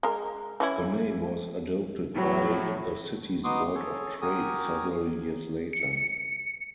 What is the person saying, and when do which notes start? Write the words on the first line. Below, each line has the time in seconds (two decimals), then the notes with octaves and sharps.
The name was adopted by the city's Board of Trade several years later.
0.03 G#3 A#4
0.60 E3 C#4 E4
2.14 A2 F#3
3.44 B3 D#4 F#4 C6 D6 D#6
3.75 G#4 A4 C#5
4.22 F#4 G4 A#4 G#5 D#6
5.73 C#7